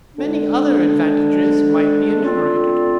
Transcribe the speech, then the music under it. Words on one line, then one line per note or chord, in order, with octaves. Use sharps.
Many other advantages might be enumerated.
D2 D3 G#3 D4
D3 A3 C4 F4